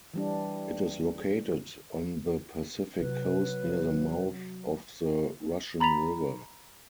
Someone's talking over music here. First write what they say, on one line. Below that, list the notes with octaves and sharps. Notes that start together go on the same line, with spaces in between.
It is located on the Pacific coast near the mouth of the Russian River.
E3 G3 D4
C3 F#3 B4
A#5 B5 A6 B6 F7